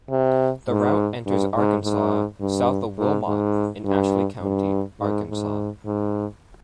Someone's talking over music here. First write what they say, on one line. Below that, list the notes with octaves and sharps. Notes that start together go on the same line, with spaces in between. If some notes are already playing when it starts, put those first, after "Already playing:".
The route enters Arkansas south of Wilmot in Ashley County, Arkansas.
C3
G#2
G2
G#2
G#2
G2
G#2
G#2
G2
G2
G#2
G#2
G#2